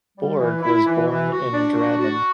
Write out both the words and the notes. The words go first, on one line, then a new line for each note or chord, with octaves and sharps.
Borg was born in Drammen.
G3
E3
E4
E3
E3
F#4
D4
F#4
F#4